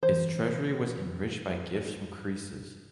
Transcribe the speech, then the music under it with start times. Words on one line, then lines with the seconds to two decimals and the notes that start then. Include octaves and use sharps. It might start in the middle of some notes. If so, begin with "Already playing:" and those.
Its treasury was enriched by gifts from Croesus.
0.03 E3 C5